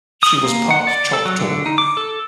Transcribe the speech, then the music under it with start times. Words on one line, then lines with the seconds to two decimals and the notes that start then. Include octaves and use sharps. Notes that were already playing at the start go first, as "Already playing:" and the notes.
She was part Choctaw.
0.23 D#6
0.44 A#3
0.71 F#5
0.87 D5
1.13 A4
1.25 F#3
1.40 D3
1.66 D#4
1.78 D6
1.97 A4